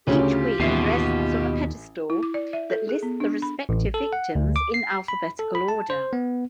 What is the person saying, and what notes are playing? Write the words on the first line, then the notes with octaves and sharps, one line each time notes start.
Each wing rests on a pedestal that lists the respective victims in alphabetical order.
D2 C#3 C#4 F4 G4
A1 D#2 B2 E5 C7
E4
D6
D5
E5
A4
G#4
B3
D4
B5
A1
A4
F#5
D2
D6
C7
B5
A4
B5
A5
C5
B3